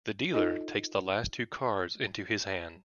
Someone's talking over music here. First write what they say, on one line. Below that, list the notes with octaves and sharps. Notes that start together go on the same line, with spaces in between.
The dealer takes the last two cards into his hand.
D#4 F4 A4 D#5